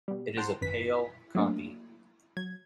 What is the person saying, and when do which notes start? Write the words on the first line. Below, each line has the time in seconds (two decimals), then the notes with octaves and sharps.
It is a pale copy.
0.08 B2 G3
0.37 C5 F#5 G5 A5 A#5 C6
0.61 G#1 F#2 B4 B6
1.35 F#3 A3 A#3 D4
2.37 F#3 G#6